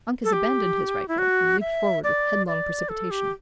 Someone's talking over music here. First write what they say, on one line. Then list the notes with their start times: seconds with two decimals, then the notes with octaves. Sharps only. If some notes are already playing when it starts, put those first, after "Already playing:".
Uncas abandoned his rifle, and leaped forward with headlong precipitation.
0.24 A4
0.33 G4
1.08 E4
1.18 F#4
1.60 E5
2.04 D5
2.47 D5
2.89 A4
3.11 G4